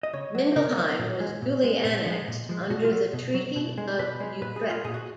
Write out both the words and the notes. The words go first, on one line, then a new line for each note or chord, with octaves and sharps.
Mindelheim was duly annexed under the Treaty of Utrecht.
D#5
C#3 C#5
F#3
C#3 A#4
F#3
A#2
G#3
A#2
G#3
A#2
F3 G#3
A#2
F3 G#3
B2 F#4
F4
F#3
B2
F#3
B2
G#3
B2 B4
G#3
A#2 B4
G#4
G#3
F4
A#2 G#4
F#4